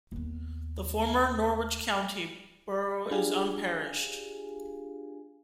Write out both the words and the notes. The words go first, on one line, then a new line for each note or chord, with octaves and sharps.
The former Norwich County Borough is unparished.
D#2 B3
D4 F4 G4 G#4 F5 G#5